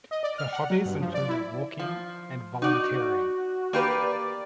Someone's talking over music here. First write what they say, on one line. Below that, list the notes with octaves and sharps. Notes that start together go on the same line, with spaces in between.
Her hobbies included walking and volunteering.
D#5
D5
F6
F#5
F#3
G2
F3
D5
E4
F3
D#4 F#4 D5
A#3 G4 B4 D5